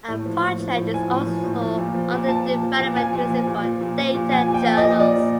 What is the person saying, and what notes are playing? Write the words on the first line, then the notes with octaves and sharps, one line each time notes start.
A project is also under development to use it for "Data Journals".
A2
F3
A2
F3
A2
F3 G#5
A2
F3
A2
F3
A#2
F3
A#2
F3 A5
A#2
F3
A#2
F3 G#5
A#2
F3
A#2
F3
A#2
F3
A#2
F3 G#5
A#2
G5
F3
D#5
A#2
F3 D5
A#2